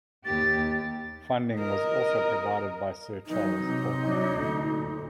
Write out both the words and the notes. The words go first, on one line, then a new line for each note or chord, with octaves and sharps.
Funding was also provided by Sir Charles Holcroft.
D#2 G4 A6
A#4 D#5
E3 F#3 D#4
C3
F#3 D4
D2 A#2